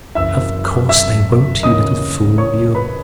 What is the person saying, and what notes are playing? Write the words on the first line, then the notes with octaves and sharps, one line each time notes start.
"Of course they won't, you little fool, you."
F#1 F#2 E3 E5 E6
E5 E6
D#2 C#3 E3 D#5 D#6
C#5 C#6
B4 B5